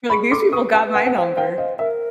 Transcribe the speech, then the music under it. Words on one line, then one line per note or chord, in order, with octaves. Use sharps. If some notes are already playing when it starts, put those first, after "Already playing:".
You were like, "These people got my number."
G#4 B5 C#6
A4 C6 D6
B4 C#6 D#6
G5 A5
B4
F#5 G#5
F#5
C5 F5 G5
F5 G5
D#5 F5
A#4 E5